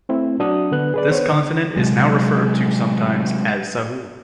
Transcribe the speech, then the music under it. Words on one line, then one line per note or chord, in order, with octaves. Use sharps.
This continent is now referred to sometimes as Sahul.
A3 C4 E4
F#3 D4 F#4 D#6
D3 B3 F#6
G#4 B4 D5
B3 C5 C#5
D3
C3 F#3 G#3